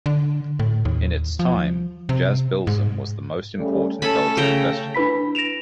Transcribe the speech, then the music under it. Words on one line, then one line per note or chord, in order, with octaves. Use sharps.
In its time Jazz Bilzen was the most important Belgian festival.
D3
A2
D#2
F3
C3
G#2
C#3 G3 A3
A3 C#4 A4 B5
C#3 G5 A#5
D4 E4 B4 B5 B6
A#6 D7 E7 F7